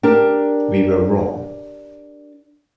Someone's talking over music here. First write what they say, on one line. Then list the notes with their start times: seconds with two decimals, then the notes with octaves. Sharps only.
We were wrong.
0.03 D4 G4 A#4